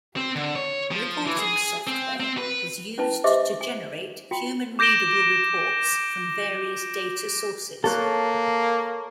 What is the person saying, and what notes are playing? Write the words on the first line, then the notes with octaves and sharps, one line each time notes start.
Reporting software is used to generate human-readable reports from various data sources.
C4
D3
C#5
F3
E3
G#4
C4
C4
B4
C#4 E4 B4 A5
G4 C5 D#5 E5 D6
G#5
F4 F#4 G5
D6 G6 A#6 D7 E7 G7
A#3 A4 C#5 F#6